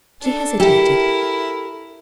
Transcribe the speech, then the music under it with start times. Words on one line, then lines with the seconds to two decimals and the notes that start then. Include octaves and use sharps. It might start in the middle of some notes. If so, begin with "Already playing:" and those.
She hesitated.
0.21 D4 A4
0.60 E4 G4 A4 A#4